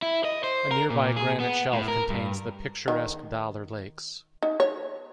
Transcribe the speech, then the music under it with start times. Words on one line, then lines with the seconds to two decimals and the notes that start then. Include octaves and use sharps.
A nearby granite shelf contains the picturesque Dollar Lakes.
0.02 E4
0.25 D#5
0.44 C5
0.71 A#4
0.90 A#2
1.16 G#4
1.40 B3
1.73 A2
1.88 A#4
2.10 G2
2.88 D#3
4.43 D#4
4.60 C#5